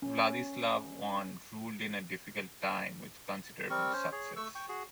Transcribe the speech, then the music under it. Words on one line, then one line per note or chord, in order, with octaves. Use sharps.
Vladislav I ruled in a difficult time with considerable success.
C#4
G3 C4 A#4 C#6
C#4 C5
G#4 C#5
A3 C#6 E6
G5 C#6
F#4 G#4